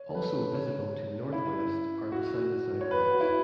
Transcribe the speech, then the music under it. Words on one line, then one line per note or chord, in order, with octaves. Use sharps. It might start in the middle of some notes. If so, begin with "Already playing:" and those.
Also visible to the northwest are the Simonside Hills.
Already playing: C#5
A4
B4
C#5
C#4
E4
F#4
C#5
B4
F#4
E4